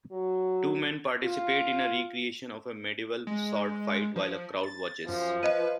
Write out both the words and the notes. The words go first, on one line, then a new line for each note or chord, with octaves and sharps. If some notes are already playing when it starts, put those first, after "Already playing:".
Two men participate in a recreation of a medieval sword fight while a crowd watches.
F#3
F4
G#3
F3
A6
F#2 F3
B4 D#5 D#7